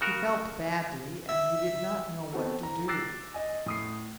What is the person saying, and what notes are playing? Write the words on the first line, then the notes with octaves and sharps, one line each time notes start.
He felt badly, and he did not know what to do.
C#3 F#4 A#4
E5
B3 C4 F#4 A4
A#5
D6 E6 F#6 A6 A#6 C7
D#5 G#5
A2 D#6 C7